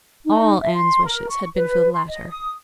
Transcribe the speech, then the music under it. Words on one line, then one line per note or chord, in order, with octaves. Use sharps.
All Anne's wishes had been for the latter.
D#4
E5
C6
A#4
C#6
B4
C6
D#5
D#6